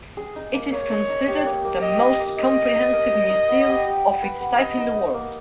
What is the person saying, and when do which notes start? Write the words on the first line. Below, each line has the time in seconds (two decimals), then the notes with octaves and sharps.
It is considered the most comprehensive museum of its type in the world.
0.17 G#4
0.36 D#4
0.54 A#3
0.72 A#3 C#5
0.91 D#4
1.09 D#4
1.28 G4
1.46 A#3
1.64 A#3
1.83 G4 D#5
2.01 D#4
2.20 A#3
2.38 D#4 D#5
2.56 A#4
2.75 D#4
2.93 A#4
3.12 D#4
3.30 D#4
3.49 B3
3.67 G4
3.85 G4
4.04 B3
4.22 B4
4.41 B3
4.58 D#4 D#5
4.78 D#4
4.96 D#4
5.14 A#3